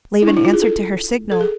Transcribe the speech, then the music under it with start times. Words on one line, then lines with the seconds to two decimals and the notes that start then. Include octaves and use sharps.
Laban answered to her signal.
0.22 E4
0.28 D4
0.37 E4
0.45 F4
0.53 G#4
0.62 A4
1.32 A4
1.41 G#4